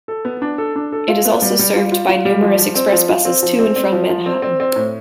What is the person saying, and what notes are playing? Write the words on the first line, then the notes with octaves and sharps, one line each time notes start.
It is also served by numerous express buses to and from Manhattan.
A4
B3
D4
A4
D4
A4
F4
B3
G3
G3
F4
F4
F4
G3
F3
F3
C4
F3
F4
C4
F3
C4
C4
F3
F3
C4
C4
C4
A2